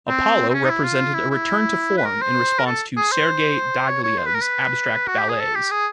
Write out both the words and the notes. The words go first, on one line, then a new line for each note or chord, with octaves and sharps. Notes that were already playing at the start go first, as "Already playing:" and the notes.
"Apollo" represented a return to form in response to Sergei Diaghilev's abstract ballets.
C4
C4
C#4
D#4
E4
F4
E4
E4
B4
A#4
C5
A#4
A4
G#4
C5
C#5
C#5
C5
B4
A#4
B4
F#4
G4
G#4
A4
G4
G#4